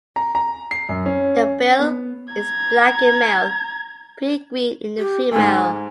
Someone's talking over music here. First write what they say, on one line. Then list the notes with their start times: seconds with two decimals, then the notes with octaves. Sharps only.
The bill is black in male, pea-green in the female.
0.16 A#5
0.35 A#5
0.71 C7
0.89 F#2
1.06 C#4
1.79 B3
2.34 A#5 G#6
4.98 G4
5.32 G#2 A3 G#5
5.43 G#2